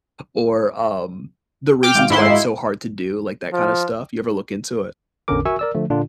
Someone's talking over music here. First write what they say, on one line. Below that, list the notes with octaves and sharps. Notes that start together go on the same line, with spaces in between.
or um, the reasons why it's so hard to do, like, that kinda stuff? You ever look into it?
G5 D6 F6
G#1 F5
G#2 E4 C6
D#5 F5
F3
A1 E2 D3 C#4 A#4 D6
F#4 A#4 E5 G#5 C#6 E6
A#4 D5 E6
D3 F3 A3
A#2 D3 D4 F4